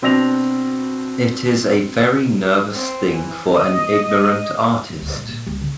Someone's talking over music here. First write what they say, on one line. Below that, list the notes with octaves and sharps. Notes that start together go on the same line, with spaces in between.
It is a very nervous thing for an ignorant artist.
B2 C4 D4 E6 A#6 F7
C4
E3
D#5
G2
D2
A#2 E4
A#2
C#2 G3
C#3